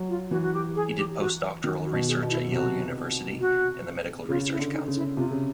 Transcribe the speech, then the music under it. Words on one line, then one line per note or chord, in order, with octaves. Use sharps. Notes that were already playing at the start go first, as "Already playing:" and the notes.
He did postdoctoral research at Yale University and the Medical Research Council.
Already playing: F#3
F4
E3 F#4
F#4
G4
G#4
G4
F#4
D#3 F#4
F#4
B2
G#4
B2
E4
C3 F#4
F#4
C#3 F4
E4
D3
D#4
C#3
E4
C3 F4
C#3